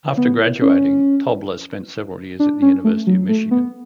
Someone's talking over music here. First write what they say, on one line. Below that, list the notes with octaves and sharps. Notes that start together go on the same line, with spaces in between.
After graduating, Tobler spent several years at the University of Michigan.
B3
C#4
D4
C#4
A3
F#3
A3
B3